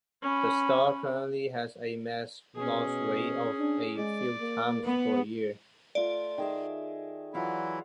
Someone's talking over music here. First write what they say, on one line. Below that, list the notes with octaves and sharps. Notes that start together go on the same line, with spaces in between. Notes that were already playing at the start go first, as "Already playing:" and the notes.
The star currently has a mass loss rate of a few times per year.
C#4 B5
B2 C#4 G#4
D4
G#3 D5
A#3
B3
A3 F4 D5
D#3 G#4 E5
E3 F#3 E4 F4 F5 F#5